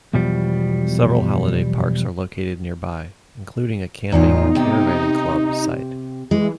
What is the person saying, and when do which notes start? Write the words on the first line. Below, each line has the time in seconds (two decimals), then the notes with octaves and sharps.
Several holiday parks are located nearby including a Camping and Caravanning Club site.
0.14 B1 E2 B2 F3 G3
4.12 E2 A2 D#4 F4
4.55 C3 G4
6.31 E3 G#3